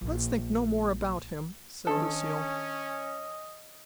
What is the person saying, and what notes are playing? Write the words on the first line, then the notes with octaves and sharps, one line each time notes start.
"Let's think no more about him," said Lucille.
A#1
D#3 C#4 D4 A4 D#5